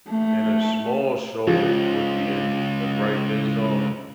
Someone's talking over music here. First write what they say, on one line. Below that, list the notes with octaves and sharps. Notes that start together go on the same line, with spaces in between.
And a small show would be interesting, right? There's, um
A3
C#2 F3